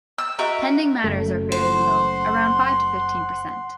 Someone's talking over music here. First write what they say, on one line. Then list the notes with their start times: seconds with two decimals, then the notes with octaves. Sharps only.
Pending matters are fairly low, around five to fifteen percent.
0.18 E6
0.38 F#4 A#4 D#5 E5
1.04 F#1 F#2 A3
1.52 C5 F#5 C6